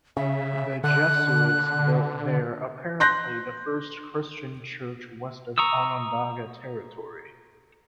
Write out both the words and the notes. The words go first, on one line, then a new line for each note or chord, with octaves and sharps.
The Jesuits built there apparently the first Christian church west of Onondaga territory.
C#3 E5
D3 F#6
C6 F#6 G6 A#6
A#5 C#6 D#6 E6